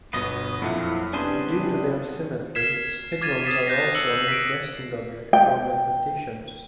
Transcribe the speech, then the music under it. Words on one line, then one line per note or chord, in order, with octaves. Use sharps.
Due to their symmetry Spidrons are also an interesting object for mathematicians.
G1 B2 B3 D#5
F2 A#2 F#3 E4 F#5
C3 G3 B3 C#4 D4 G#4 C5
F6 G#6 B6 C7 E7
D6 F6 G#6 A6 D#7
D#6 A6 B6 C7 E7
F#6 G6 A6 A#6 C7
E6 C#7 F#7
B6 D7
G5